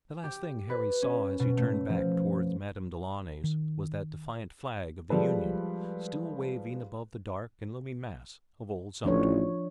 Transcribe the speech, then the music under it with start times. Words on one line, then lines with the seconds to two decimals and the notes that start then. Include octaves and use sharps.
The last thing Harry saw as he turned back toward Madame Delaunay's was that defiant flag of the Union, still waving above the dark and looming mass of old Sumter.
0.24 G4
0.70 B4
1.02 C#4
1.40 B2
1.57 A3
1.89 F3
3.44 D#3
5.10 F3 G3 G#3 A4 B4
9.05 A1 F3 D4 C#5